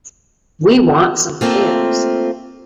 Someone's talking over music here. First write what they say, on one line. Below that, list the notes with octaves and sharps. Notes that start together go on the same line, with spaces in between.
We want some pears.
A3 A#3 C4 F4